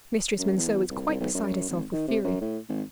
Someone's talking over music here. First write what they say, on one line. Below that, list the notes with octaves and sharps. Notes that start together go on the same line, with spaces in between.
Mistress Monceux was quite beside herself with fury.
F#2
E2
C2
C2
B1
F#2
G#1
D#3
C3
F#2
A2
G#1